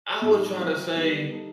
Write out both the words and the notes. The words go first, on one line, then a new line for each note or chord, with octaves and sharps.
I would try to say
A2 G3 D#4
F#3 C4 E4 B4
D#3 G3 B3 D#4
G3 D#4 A4